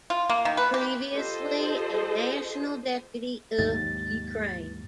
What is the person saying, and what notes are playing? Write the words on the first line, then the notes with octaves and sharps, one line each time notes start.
Previously a national deputy of Ukraine.
F4
A#3
D#3
B4
G4
F4 G4 A4 C5 D#5
D#2 G#2 F#3 A6